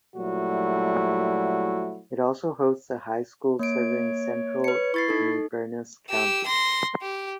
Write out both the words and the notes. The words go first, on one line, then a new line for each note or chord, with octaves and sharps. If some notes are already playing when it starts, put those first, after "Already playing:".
It also hosts a high school serving central Inverness County.
A#2 F#3 G3 A3 E4 F#4
A#3 C#5 D7
B4 C#7
E4 C#6 A6 C7
D#4 A4
G4 E6
C6 A#6
G4